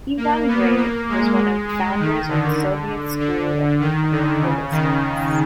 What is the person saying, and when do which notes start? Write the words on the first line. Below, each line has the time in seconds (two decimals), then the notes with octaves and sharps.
Ivan Grave was one of the founders of the Soviet school of internal ballistics.
0.17 A#3
0.48 B3
0.78 A#3
1.09 G#3
1.69 G#3
2.00 D#3
2.29 D3
3.20 D3
3.80 D#3
4.11 D3
4.41 C#3
4.71 D#3